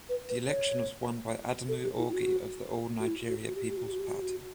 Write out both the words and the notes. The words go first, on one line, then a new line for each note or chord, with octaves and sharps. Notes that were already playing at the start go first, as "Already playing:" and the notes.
The election was won by Adamu Augie of the All Nigeria Peoples Party.
B4
B4
C#5
A4
G4
E4
E4
F#4
F#4
E4
F#4
F#4
G4
F#4
G4
F#4
G4
F#4
G4
F#4
G4
F#4